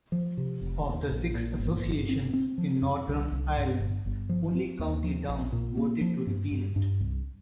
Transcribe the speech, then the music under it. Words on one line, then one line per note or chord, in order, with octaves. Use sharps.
Of the six associations in Northern Ireland, only County Down voted to repeal it.
F3
C3
F1
D#2
A#1
A#2
G1
G1
C4
C4
F3
F2
C2
C2
G2
G1
G1
F3
C4
D#2
F3
A#1
A#2
A#3
F3
G2
G2
G2
C2